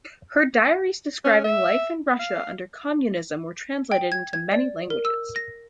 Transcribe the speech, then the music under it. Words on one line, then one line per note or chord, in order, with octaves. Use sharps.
Her diaries describing life in Russia under communism were translated into many languages.
C#4
E5
F5
G5
G#6
G#6
D5
A#4
E6
A#6